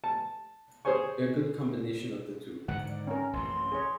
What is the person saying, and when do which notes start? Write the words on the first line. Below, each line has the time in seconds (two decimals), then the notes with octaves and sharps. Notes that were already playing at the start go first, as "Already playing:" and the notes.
A good combination of the two.
0.04 A5
0.85 G#4 C5 C#5 G#5 C#6
2.68 G#2 D3 D#3 F#5
2.87 D5
3.07 C#4 A#4 A#5
3.33 A1 F#2 C3 C6
3.72 G#4 C#5